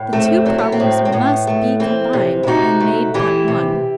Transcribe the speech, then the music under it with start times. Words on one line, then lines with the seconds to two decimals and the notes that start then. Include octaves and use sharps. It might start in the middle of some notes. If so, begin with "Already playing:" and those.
The two problems must be combined and made but one.
Already playing: A2
0.13 A3 C4
0.46 F#3 C4
0.58 B3
0.72 C4
0.80 A2
1.05 C4
1.12 A2 B3
1.47 A3
1.80 E3 C4
2.13 C3
2.43 E4
2.47 C3 D#4 F#4
2.80 A3
3.14 E3 E4 G4
3.48 C3